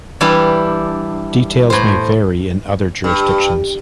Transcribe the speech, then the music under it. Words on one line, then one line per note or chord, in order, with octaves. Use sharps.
Details may vary in other jurisdictions.
E3 G3 D4 E4 G4
A2 C5
G2